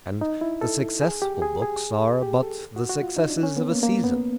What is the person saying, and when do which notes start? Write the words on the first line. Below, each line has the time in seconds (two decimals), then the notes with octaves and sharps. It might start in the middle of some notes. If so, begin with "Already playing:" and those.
And the successful books are but the successes of a season.
0.21 D#4
0.41 E4
0.61 A4
1.02 G#4
1.22 G4
1.42 G#4
1.62 G#4
2.22 G4
2.43 A4
2.76 F#4
2.90 F#4
3.03 F4
3.16 D#4
3.30 D4
3.43 C#4
3.57 B3
3.70 A#3
3.83 A#3
4.04 B3